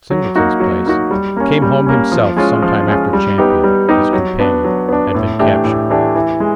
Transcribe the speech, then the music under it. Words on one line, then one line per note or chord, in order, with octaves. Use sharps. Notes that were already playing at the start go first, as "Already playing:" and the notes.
Singleton's place, came home himself sometime after Champion, his companion, had been captured.
F#3
A#3 D#4 F#4
F#3
A#3 D#4 F#4
G3
A#3 C#4
G3
A#3 C#4
F3
G#3 C#4 F4
F3
G#3 C#4 F4
G3
B3 D#4 G4
G3
B3 D#4 G4
F#3
B3 D4
F#3
B3 D4
A2
E3 A3 D4 G4
A2
E3 A3 D4 G4
E3
G#3